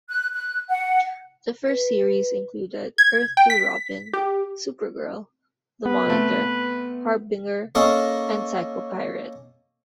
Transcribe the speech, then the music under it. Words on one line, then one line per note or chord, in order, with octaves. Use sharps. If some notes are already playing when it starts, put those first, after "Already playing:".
The first series included Earth-Two Robin, Supergirl, the Monitor, Harbinger and Psycho-Pirate.
F#6
F#6
F#5
B4
G#6
G5
B6
G4
B3 B4
C3 A3
A#3 C#4 A4 A#4 D#5